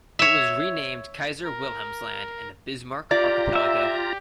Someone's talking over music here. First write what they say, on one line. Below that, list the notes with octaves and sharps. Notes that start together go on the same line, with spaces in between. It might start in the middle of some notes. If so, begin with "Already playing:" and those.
It was renamed Kaiser-Wilhelmsland and the Bismarck Archipelago.
C#5 E5
A#4
F4 G4 D5 A#5
E5